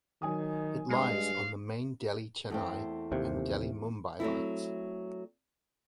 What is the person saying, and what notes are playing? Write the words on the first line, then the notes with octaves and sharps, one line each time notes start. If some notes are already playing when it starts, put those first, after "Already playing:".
It lies on the main Delhi-Chennai and Delhi-Mumbai lines.
D#3 F#3 G#5 D#6
G2 G#3 F5
E2 A3 C4
D#2 C3
F#3 A3 C4 E4